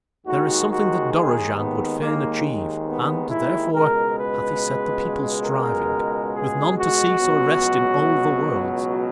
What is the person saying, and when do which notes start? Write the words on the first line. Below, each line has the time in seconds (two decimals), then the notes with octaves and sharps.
There is something that Dorozhand would fain achieve, and, therefore, hath he set the people striving, with none to cease or rest in all the worlds.
0.25 D#2 D#3 G#3 F#4
0.69 F#4
1.12 G#4
1.54 B3
1.98 A#3
2.85 B3
3.28 E4
3.72 C#2 B2 G#3 A#4
4.15 B4
5.45 A#4
6.32 G#4
6.75 F#4
7.19 C#2 B2 F#3